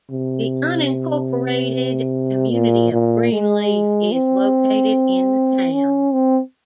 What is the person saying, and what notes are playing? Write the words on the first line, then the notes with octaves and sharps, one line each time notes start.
The unincorporated community of Greenleaf is located in the town.
C3
A#2
A#2
G#3
C4
C#4
C4